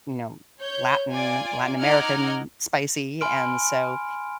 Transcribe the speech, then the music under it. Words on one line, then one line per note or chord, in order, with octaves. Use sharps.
you know, Latin Latin American spicy, and so,
C#5 G6
F4 D5 G#5
D#4 D#5 F#5 D6 F6 G#6
G#5 B5 C6 F6 D7